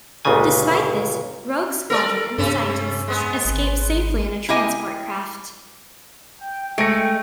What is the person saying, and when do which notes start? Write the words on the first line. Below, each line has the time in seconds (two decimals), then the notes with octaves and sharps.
Despite this, Rogue Squadron and the scientists escape safely in a transport craft.
0.25 G1 C#2 A#2 C#3 G#5
1.90 A4 A#4 D5
2.38 G2 C3 C#4 A4
3.08 G#3 B3
3.45 G#1
4.49 E4 G4 D#5 G#5
6.41 G5
6.78 G#3 A3 G5 A#6 C#7 D7